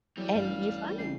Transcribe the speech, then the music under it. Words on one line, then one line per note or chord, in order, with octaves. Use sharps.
And you find
E2 F#3 G3 D5
A1 G2 F5
A1 C#3 C7